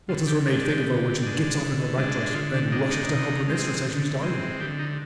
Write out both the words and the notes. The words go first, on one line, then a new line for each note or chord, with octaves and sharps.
What does her maid think of her when she gets up in her nightdress and rushes to help her mistress as she's dying?
D3 F4
G4
G#3 D4 G#4
G4
D3
G#3 D4
D3
G#3 D4
D3 F4
D4
G#3 D4 D#4
D#4
D3
G#3 C4
D3
G#3 C4
D3 G4
D#4